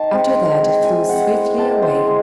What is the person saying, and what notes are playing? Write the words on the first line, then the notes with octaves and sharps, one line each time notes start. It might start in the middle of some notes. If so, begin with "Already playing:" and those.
After that it flew swiftly away.
Already playing: D#3 A5
G#3 C4
D#3
G#3 C4
E3 G#5
G#3 C4 F#5
E3 G#5
G#3 C4 A5
E3 C5
G#3